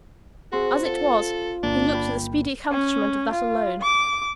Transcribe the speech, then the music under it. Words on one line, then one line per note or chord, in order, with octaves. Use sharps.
As it was, he looked to the speedy accomplishment of that alone.
C4 F#4 G#4 F#5 C6
F4 A4
G1 A#3 D4
G5 B5
C#4
F4
D6